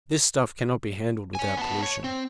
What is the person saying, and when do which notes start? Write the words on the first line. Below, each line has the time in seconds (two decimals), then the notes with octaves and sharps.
This stuff cannot be handled without pollution.
1.35 C#5 G#5
1.57 B3 A5
1.82 C#5
2.04 C4